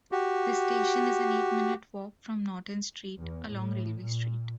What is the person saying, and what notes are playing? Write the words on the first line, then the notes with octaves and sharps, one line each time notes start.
The station is an eight-minute walk from Norton Street, along Railway Street.
F#4 G4
E2
A2
A#2